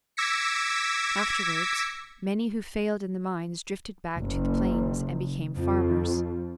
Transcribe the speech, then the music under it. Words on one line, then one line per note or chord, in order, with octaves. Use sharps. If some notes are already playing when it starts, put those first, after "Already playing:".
Afterwards many who failed in the mines drifted back to the plains and became farmers.
D6 E6 G#6 A#6 B6 C#7
F#1
F2